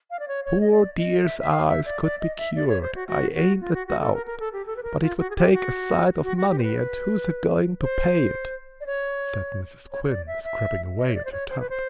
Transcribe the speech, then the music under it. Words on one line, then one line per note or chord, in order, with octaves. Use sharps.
'The poor dear's eyes could be cured, I ain't a doubt; but it would take a sight of money, and who's agoing to pay it?' said Mrs. Quinn, scrubbing away at her tub.
F5
D5
C#5
C#5
D#5
D5
D#5
E5
E5
F5
E5
D5
D5
D#5
E5
D5
C#5
C5
F#4
F#4
F#4
F4
F#4
F#4
A4
A#4
A#4
A4
G4
A4
B4
A#4
F4
F#4
G#4
G4
F#4
F#4
F#4
G4
C5
B4
C5
D5
C#5
C#5
C#5
D5
E5
E5
D#5
C#5
D5
C5
C#5
C5
B4
C5